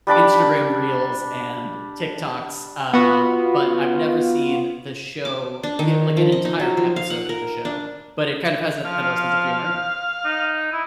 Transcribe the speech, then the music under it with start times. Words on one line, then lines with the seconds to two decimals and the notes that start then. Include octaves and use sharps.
Instagram reels and TikToks, uh, but I've never seen the show, you know like, an entire episode of the show. But it kind of has a similar sense of humor.
0.07 G3 D4 B5 D6
2.93 B3 F4 F#4
5.25 D6
5.63 D4
5.79 D#3
6.17 F3
6.32 D#5
6.45 D#4
6.60 F#3
6.77 F3
6.96 F5
7.10 F#5
7.29 A#4
7.65 D4
8.85 F3 F5
10.25 D#4
10.72 E4